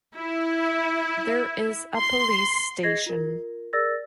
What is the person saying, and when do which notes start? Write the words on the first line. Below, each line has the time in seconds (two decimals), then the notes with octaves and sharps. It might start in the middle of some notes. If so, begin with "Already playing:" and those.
There is a Police Station.
0.16 E4
1.97 C6
2.83 G#4 D#5 G#6 A#6 C7
3.06 F4 A#4
3.73 G#4 A#4 D5 E6 A6 A#6